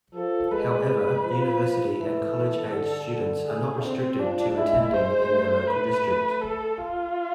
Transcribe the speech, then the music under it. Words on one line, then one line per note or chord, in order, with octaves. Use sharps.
However, university and college-age students are not restricted to attending in their local district.
F3 A4
G#3 B4
B4
F3
E3 A4
D3
G#4
C4
F3 D4
G#3 E4
G#3 C5
A3
B4
A4
F4